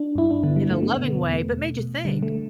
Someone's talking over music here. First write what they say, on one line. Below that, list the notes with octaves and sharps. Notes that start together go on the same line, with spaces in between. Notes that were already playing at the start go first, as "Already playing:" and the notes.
in a loving way, but made you think.
Already playing: D4
G2 E4
D4
D3 B3
G3
G2 A3
B3
B2 B3
B3
E2
A3
B2
B2
D3 G3
A3